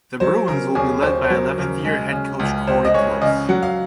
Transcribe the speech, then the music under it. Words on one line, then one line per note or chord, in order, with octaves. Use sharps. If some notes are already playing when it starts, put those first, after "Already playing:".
The Bruins will be led by eleventh year head coach Cori Close.
F#3 C5
C#3 A#4
D#2 G#4
D#2 C5
C5
F#3 A#4
C#3 A#4
G#3
C#3
C#2
C#2 C5
D#5
G#3 C#5
C#3 D#5
F#3 F#5
F5